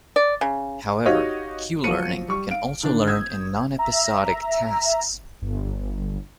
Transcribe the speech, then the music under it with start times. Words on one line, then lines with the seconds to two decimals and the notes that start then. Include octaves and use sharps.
However, "Q"-learning can also learn in non-episodic tasks.
0.16 D5
0.41 C#3
1.06 D#4 F#4 G4 C#5 D#5 F5
1.84 F3 F#3 C#7 D#7
2.28 G3 C#6
2.50 F5 D7
2.83 D3 D#3 D4
3.07 D#6 E6 G6 G#6
3.78 E5 A#5
5.42 G1